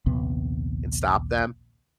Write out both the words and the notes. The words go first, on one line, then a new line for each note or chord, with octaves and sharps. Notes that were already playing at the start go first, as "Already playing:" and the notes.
and stop them
A#1 D#2 C3 B3